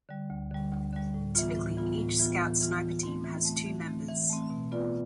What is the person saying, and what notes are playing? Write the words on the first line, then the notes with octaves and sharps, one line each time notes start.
Typically, each Scout Sniper team has two members.
D3 G3
D2
D3 G3
D2
D3 G3
A2
E3 B3 F4
A2
E3 B3 F4
A2
E3 B3 F4
A2
E3 B3 F4
E3
A3 C4
E3
A3 C4
E3
A3 C4
E3
A3 C4
B2
B3 F4 B4 D5